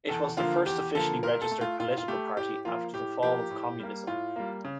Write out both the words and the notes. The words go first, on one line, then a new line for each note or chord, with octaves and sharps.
It was the first officially registered political party after the fall of Communism.
E2 A4
D3 F3 A#3 F4
E2 G4
D3 F3 A#3 A4
A#2 A#4
A4
A3
F4
A#2 F4
F4
A3 G4
A2 G4
F3 A#3 F4
A2 G4
F3 A#3 G4
A2
G3 A#3
A2 F4
G3 A#3
C#3